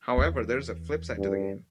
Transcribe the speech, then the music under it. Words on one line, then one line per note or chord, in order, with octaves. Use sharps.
However, there is a flip side to the game.
E2
G2